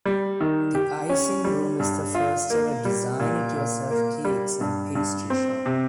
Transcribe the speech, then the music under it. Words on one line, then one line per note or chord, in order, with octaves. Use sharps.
The Icing Room is the first-ever "Design-It-Yourself" cakes and pastry shop.
G3
D#3
G4
C#4
G3
G2
F4
A#3
G3
A#2
A#2
A#3
G3
G2
G2
C4
C3